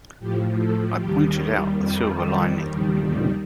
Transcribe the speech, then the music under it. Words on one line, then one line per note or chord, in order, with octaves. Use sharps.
I pointed out the silver lining.
A2 F3 G4
A4
D#2 D#3 G3 G4
G4
F2 D#3 G3
D#2 D#3 G3